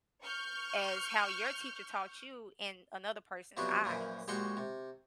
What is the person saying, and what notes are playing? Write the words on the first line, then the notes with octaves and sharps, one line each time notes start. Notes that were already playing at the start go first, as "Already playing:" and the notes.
as how your teacher taught you in another person's eyes
C#6 F6 G6
C3 F3 F#3 B3 D4 F#4
F#2 A#2 E3 F3
A#1 G#3 F#4 G4 C6 C#6
C3